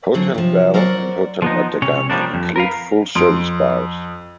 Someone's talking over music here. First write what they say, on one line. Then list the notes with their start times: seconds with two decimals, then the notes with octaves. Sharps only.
Hotel Bell and Hotel Matagami include full service bars.
0.14 D3 F#3 C4 G#4
0.35 C3 F3
0.74 F#3 A#4 C5 D5 F5 F#5
1.42 F3 B3 D#4
1.82 C3 C#4 C#5
2.10 F3 G3 A#3 D4
2.34 F2
2.56 A#4 B4 F5
3.15 F2 C6 D7